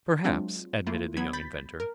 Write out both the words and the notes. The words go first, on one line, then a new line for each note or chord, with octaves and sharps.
"Perhaps," admitted the young inventor.
F#3 G#3 C4 D4 F4
A3 A#3 E4 F4
F#3 B3 B5 G#6
B5 G6 A6 B6
A#4